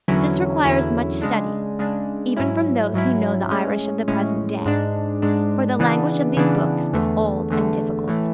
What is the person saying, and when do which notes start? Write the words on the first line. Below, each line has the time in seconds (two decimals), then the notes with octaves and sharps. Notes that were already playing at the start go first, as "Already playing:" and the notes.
But this requires much study, even from those who know the Irish of the present day; for the language of these books is old and difficult.
0.08 E2 D3 F#3 C#4 E4
0.65 E2 D3 F#3 C#4 E4
1.22 C#3 G#3 D4
1.79 C#3 G#3 D4
2.36 G#2 F#3 C#4 E4
2.94 G#2 F#3 C#4 E4
3.51 A2 G#3 C#4
4.08 A2 G#3 C#4
4.65 G#2 G#3 D4
5.22 G#2 G#3 D4
5.79 C#3 E3 B3 D4
6.37 C#3 E3 B3 D4
6.93 E2 D3 A3
7.50 E2 D3 A3
8.08 A2 E3 A3